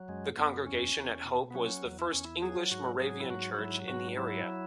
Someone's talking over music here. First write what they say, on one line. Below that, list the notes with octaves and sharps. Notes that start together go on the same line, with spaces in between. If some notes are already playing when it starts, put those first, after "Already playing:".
The congregation at Hope was the first "English" Moravian church in the area.
Already playing: F#3
F#2 G#3
F#2 B3
E2 C#4
E2
B2
B3
F#3 C#4
E2
E4
E2 C#4
E4
F#3 G#4
G#2 F#4
F#3 G#4
E4
G#2 F#4
F#4
F#3 E4
G#2 F#4
F#3 E4